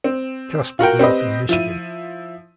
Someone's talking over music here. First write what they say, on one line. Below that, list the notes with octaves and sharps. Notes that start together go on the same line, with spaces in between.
Kasper grew up in Michigan.
C4
F4 F#4 A#4 G5
C4 G4 B4 D#5
F3 E4 D#7